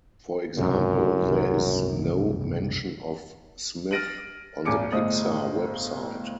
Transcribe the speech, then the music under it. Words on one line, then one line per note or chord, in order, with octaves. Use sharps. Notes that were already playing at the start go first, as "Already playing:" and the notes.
For example, there is no mention of Smith on the Pixar website.
G1 C#2 F#2 C3
F#1 C2
F6 A6 A#6 D7 D#7 F#7
D#1 G#1 G#5 D6 C#7
G1 A2 G#4 C5 D#5 D#6